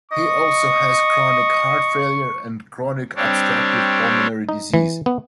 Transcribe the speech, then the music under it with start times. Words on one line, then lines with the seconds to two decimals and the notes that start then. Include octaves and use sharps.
He also has chronic heart failure and chronic obstructive pulmonary disease.
0.12 D#5 C#6
3.16 G3 C4 D4 C#5
4.49 D#4
4.74 E3
5.06 B3